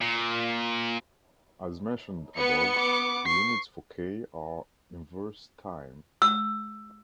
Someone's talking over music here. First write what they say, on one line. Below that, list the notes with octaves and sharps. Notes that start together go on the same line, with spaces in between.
As mentioned above, the units for k are inverse time.
A#2
B3 B4 C#7
D6
C#6 C7
E6